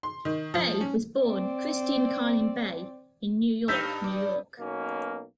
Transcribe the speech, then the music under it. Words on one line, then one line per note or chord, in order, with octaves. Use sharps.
Bay was born Kristine Carlin Bay in New York, New York.
C6
D#3
F3
C#4
C4 D5
G2 D#4 C#5 E5 F5 E6 G6 B6
D5
B1 B2 A#3 C#4